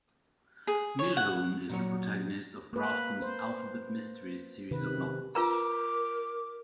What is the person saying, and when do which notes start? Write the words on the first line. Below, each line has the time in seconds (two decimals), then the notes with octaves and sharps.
Millhone is the protagonist of Grafton's "alphabet mysteries" series of novels.
0.67 G#4
0.99 C#5
1.17 F#5
1.69 A#2 F#3 C#5
2.73 A#3 B4
3.22 C5
4.71 C3 D#3 B4
5.35 F4 A#4 B4 A#5 D6